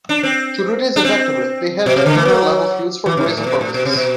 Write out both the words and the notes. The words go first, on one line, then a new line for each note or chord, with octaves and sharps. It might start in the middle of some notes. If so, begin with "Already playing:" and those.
To do this effectively, they had to clear and level fields for grazing purposes.
D4
C4
D4
C4
B2
C3
D3
E3
F#3
E3
C3
A2
A2
B2
G2
A2
B2
C3
B2